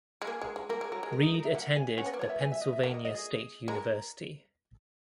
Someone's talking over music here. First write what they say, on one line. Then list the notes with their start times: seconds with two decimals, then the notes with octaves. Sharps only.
Reid attended the Pennsylvania State University.
0.22 G#3
0.27 A#3 G#4
0.41 G#3
0.56 G#3
0.69 A#3 A#4
0.81 G#3
0.92 F#3 A#4
1.03 G#3
1.13 A#4
1.23 D#4
1.34 A#4
1.45 E5
1.55 A#3 F#5
1.76 G#5
1.98 C#4 F#5
2.06 B3
2.14 A#3
2.19 B3 C#5
2.29 E5
2.41 G#5
2.52 E5
2.61 D#5
2.73 E5
2.84 A#3 F#5
2.94 D#5
3.05 D#5
3.15 G#4
3.68 G#3 A#4